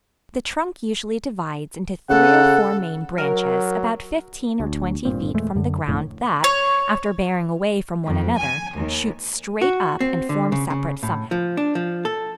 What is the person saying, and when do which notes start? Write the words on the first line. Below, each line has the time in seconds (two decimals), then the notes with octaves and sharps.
The trunk usually divides into three or four main branches about fifteen or twenty feet from the ground that, after bearing away from one another, shoot straight up and form separate summits.
2.10 C#3 A4 F#5
3.18 F#3 A#4
4.60 D2
5.05 G#1 G2 A#2 C4
5.34 E2 A#2 G#3 A3
5.55 F#2 D3
5.88 E1 F2 A2 D3
6.44 C#5
8.05 F2
8.37 G#5
8.77 D#2
9.61 F#4
10.01 C4
10.29 D3
10.52 C#3
10.70 C#3
11.03 A2
11.31 F3
11.57 D4
11.75 F3
12.05 A4